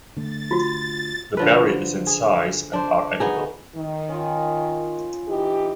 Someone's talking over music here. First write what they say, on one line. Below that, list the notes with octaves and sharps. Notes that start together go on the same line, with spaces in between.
The berry is in size and are edible.
D3 A3 A6
F4 F#4
D3 F3 B4
G#4
D4 C5
B3 D#4 G#4
D#3
C#4 F4
E3 D#4 G4